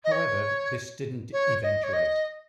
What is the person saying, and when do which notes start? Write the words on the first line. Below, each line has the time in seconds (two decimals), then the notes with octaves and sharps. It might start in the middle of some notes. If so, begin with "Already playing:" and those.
However this didn't eventuate.
0.04 D#5
0.11 C#5
1.32 C#5
1.63 D#5
1.83 C#5
1.93 D#5